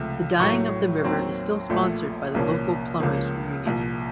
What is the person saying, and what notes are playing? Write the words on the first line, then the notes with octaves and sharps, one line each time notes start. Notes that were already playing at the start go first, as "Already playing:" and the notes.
The dyeing of the river is still sponsored by the local plumbers union.
Already playing: C#2 C3 F3 A3
A1 A2 F#3 A3 C#6
D#2 D#3 F#3 C4
A#1 A#2 F3 A3
C2 A#2 F3 A#3 C#4
C#2 C#3 F3 A#3
C2 A#2 F3